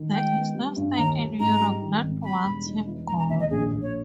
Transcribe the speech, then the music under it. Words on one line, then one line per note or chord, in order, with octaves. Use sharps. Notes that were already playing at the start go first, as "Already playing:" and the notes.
There is no State in Europe that wants him gone.
Already playing: D#3
G#3 G5
B3
G3
G2
D#2 A#5
G3
G#2 A#5
G3
D#3
G#1
G3 B5
E1
D#4
E3
E1 A#5
A#5
D#2 E5
D#5
A#1 G#4
A#1
C#5